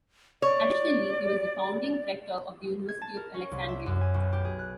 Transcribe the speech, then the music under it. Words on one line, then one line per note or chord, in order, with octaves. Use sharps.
Additionally, he was the founding Rector of the University of Alexandria.
C#5 D5
G#6
A5
A#4
C#4
C2
E5
F#2
G#5
B1
G4
G#4
F#6